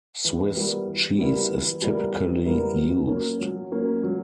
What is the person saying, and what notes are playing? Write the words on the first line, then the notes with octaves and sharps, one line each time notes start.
Swiss cheese is typically used.
E3
G3 B3 E4 A#4
E3
G3 B3 E4 A#4
E3
G3 B3 E4 A#4
E3
G3 B3 E4 A#4
F#3
A#3 C#4
F#3
A#3 C#4
F#3